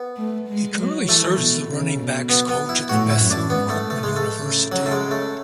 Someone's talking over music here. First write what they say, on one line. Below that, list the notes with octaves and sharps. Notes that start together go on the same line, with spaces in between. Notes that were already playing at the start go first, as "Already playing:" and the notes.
He currently serves as the running backs coach at Bethune Cookman University.
Already playing: B3
A3
G#3
F#3
E3 A3
B2
C#3
B2
B3
B3
E4
A2 F#4
E4
F#2
D4
G#2 B3
A3
A2
A3
G#3
A3
C#3
C#3 F#3
A3
G#3
A3